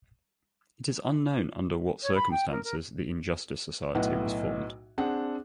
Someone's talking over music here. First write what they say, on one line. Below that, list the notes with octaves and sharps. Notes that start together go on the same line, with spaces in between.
It is unknown under what circumstances the Injustice Society was formed.
C#5
B5
G5
A#4
A#4
B1 A2 B3 F#5
C4 D4 G#4 F#5